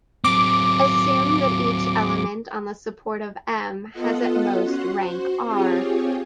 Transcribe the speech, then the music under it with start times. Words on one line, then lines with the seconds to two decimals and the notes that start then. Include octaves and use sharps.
Assume that each element on the support of "M" has at most rank "r".
0.24 F#3 C4 D6
3.92 B3 F4 A4 D#5 F#5
4.61 C#4 F#4 F#5 C6
4.98 F#4 C5
5.44 C4 F4 G4 G#4 C#5